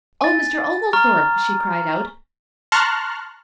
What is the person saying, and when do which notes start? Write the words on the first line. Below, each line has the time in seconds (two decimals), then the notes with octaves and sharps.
"Oh, Mr. Oglethorpe!" she cried out.
0.21 G#5 A6
0.93 A#5 C#6 F6
2.72 A5 A#5 C6 C#6 F6 F#6